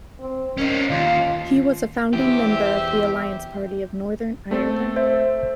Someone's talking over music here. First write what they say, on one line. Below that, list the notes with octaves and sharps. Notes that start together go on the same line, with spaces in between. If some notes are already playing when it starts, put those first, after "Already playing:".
He was a founding member of the Alliance Party of Northern Ireland.
C4
D#3 C#4 D#4
D#2 F4
E2 E3 G4 C5 E5
A3 C4 A4
C5 E5